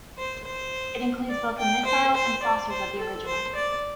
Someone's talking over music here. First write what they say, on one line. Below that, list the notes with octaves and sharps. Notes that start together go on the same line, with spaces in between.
It includes both the missiles and saucers of the original.
C5
C5
D5
G5
C5
C5
D5
C5
A4
C5
D5